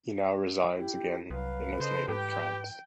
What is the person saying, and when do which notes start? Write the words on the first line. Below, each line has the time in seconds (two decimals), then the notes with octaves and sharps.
He now resides again in his native France.
0.77 E4 G4
1.30 C2 F#3 B4 F5
1.80 C#3 A4 C5 D#5
2.08 G#2 G4 G5